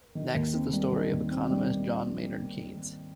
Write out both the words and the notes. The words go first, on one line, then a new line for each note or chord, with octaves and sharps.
Next is the story of economist John Maynard Keynes.
D#3
D#2
C4
G3
D#3
D#2
C4
G3